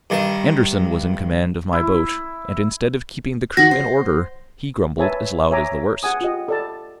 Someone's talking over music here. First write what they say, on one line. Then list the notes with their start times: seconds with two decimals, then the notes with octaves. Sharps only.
Anderson was in command of my boat, and instead of keeping the crew in order, he grumbled as loud as the worst.
0.10 G2 D#3 C#6
1.73 E4
3.57 F#4 A#6
3.71 C5
4.98 A#4 B4 C#5 E5 G#5 A5
5.50 C#5 E5 G#5 A#5 D6
6.03 G#4 F#5 G#5 D#6
6.21 F4 G4 D#5
6.48 A4 D5 A5